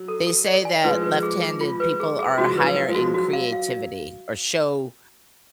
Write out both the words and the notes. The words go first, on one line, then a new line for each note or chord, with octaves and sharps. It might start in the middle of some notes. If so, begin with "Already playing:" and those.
They say that left-handed people are higher in creativity or show
Already playing: F#3
A4
A4
D5
G#5
F3 G#3 B4
B4
G#4
G#4
F4
B4
G#4
G#4
F3 G#3 F#4
B4
F#3
F5
F3 G#3
F#4
F#3 F#4
F5
F5